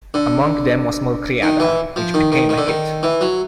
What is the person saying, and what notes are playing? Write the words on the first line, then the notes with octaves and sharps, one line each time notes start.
Among them was "Malcriada" which became a "hit".
D3
D#3
E3
F3
D#3
D#3
D#3
D3
D#3
E3
F#3